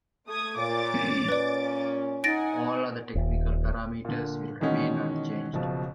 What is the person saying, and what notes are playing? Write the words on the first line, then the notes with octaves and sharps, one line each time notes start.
All other technical parameters will remain unchanged.
A3 D#6 G#6
A#2 C#5 D6 A6
A#2 C#4 B4 D5
D#4 F#5 G#5 A6 A#6 D7
D#1
A#2 D3
B2 D#3 E3 G#3 C#4 F#4
F#1 B2 F3